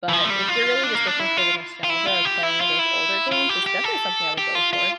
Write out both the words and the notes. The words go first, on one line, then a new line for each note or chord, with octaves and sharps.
but if you're really just looking for the nostalgia of playing those older games, it's definitely something I would go for.
E3
F3
A3
G3
F4
D4
A#3
D4
E4
F4
F4
E4
F4
G4
E4
F4
E4
F4
G4
G4
A4
G4
F4
F4